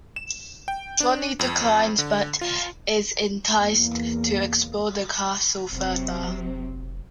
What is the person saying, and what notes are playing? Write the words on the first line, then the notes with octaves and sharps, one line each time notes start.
Johnny declines, but is enticed to explore the castle further.
E7
G5
D4
F2
D3
F4
E2 A#3
F1 C3 F#3 C4